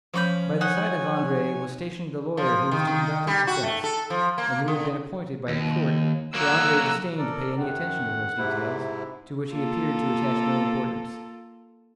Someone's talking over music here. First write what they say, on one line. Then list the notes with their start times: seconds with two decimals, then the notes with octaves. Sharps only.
By the side of Andrea was stationed the lawyer who was to conduct his defence, and who had been appointed by the court, for Andrea disdained to pay any attention to those details, to which he appeared to attach no importance.
0.14 F3 C#4 B5 C#6 G6
0.61 D#4 C#5 F#5 G#5
2.37 F3
2.71 D#3
2.87 D#3
3.27 G3
3.47 F#4
3.63 A3
3.84 A4
4.10 F3
4.38 A#3
4.68 D3
5.48 D#2
6.35 F#3 A#3 F#5 A#5 E6
7.18 A4 A#4 D5
7.60 F#2 D#3 F#5
8.38 G#2 C3 E4
9.51 A#3 F4 A4